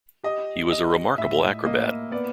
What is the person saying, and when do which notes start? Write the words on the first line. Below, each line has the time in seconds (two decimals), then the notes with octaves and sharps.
He was a remarkable acrobat.
0.23 G4 D#5
0.71 G4 D#5
1.18 A2 E5
1.65 A#3 D#5
2.11 B3 D5